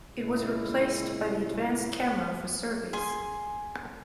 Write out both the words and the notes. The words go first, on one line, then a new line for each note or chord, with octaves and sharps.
It was replaced by the Advanced Camera for Surveys.
A#2 C#3 G#3 E4
G#4 G#5 C6